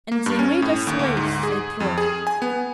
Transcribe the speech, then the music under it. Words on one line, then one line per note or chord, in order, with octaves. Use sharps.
"And they made us slaves," said Trot.
A#3
G2
C#4
A2
D#2
D2
G#2
G#4
F2
G#4
G#5
B3